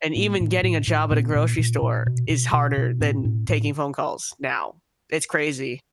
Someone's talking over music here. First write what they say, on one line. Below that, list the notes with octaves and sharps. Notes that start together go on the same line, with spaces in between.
And even getting a job at a grocery store is harder than taking phone calls now. It's crazy.
A2 A#3
A2
A2
A2
A#2 B3
A#2
A#2
A#2
B2
B2
B2
B2
A2 C4
A2
A2